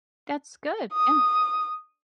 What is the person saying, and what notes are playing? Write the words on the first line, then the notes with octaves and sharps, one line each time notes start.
That's good, yeah.
D#6